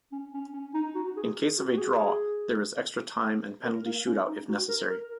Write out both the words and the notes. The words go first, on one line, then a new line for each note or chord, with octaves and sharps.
In case of a draw, there is extra time and penalty shootout if necessary.
C#4
C#4
C#4
D#4
F#4
G#4
F#4
F#4
G#4
A#4
A#3
C#4
D#4
F#4
A#4
A#4